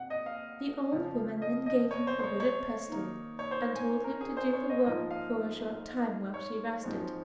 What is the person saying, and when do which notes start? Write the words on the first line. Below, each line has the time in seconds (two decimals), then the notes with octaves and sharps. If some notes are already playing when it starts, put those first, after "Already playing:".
The old woman then gave him the wooden pestle and told him to do the work for a short time while she rested.
Already playing: F2 C3 F#5
0.10 D#5
0.26 F5
0.92 F2 C#3 F3
1.42 D#5
1.66 D#5
1.91 C#5
2.07 C5
2.19 C5
2.24 C#5
2.40 C#5
2.89 D#3 A#3 D#4
3.39 C#5
3.51 C5
3.76 G#5
4.04 A#4
4.21 G#4
4.37 C5
4.53 C#5
4.70 D#5
4.86 G#2 F3 A#3 F4 D#5
5.11 F5
6.34 C#5
6.83 G#2 F3 G#3 C4